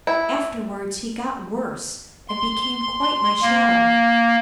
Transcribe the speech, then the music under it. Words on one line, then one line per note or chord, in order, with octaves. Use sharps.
Afterwards he got worse, and became quite my shadow.
E4
C6
A#3